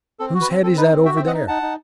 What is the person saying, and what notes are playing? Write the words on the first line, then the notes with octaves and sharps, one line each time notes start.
"Whose head is that over there?"
C4 A4
F#4
B4
C4
C4 A4
D#4 B4
C4
F#4 E5 G5
E5 G5
C4
D#5 F#5
D#4
D#4 F#5 A5
D#4